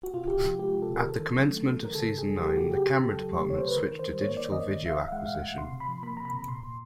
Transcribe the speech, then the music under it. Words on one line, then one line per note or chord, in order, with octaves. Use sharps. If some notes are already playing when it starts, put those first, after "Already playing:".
At the commencement of season nine, the camera department switched to digital video acquisition.
F#4
C3 F4
C3 G4
F#4
F3
G#3 G4
C3
A4
C3
A#4
D#3 A4
D#3
F#3
A3
D#3
D#3 A#4
C#3 A4
C#3
G#4
F#3
A3 G4
C#3 F#4
C#3 G4
C#3 G4
C#3
A4
F#3
A3
C#3 C#5
C#3 C5
B4
D#3 A#4
D#3
C5
G3
A#3 C#5
D#3 D5
D#3 D#5
A2
A2 E5
F5
E3
F5
G#3 F#5
A2 F5
F#5
A2
C3 C6
C3
B5
F3
A#3 B5
C3 A#5
B5
C3
A#2 C6
A#2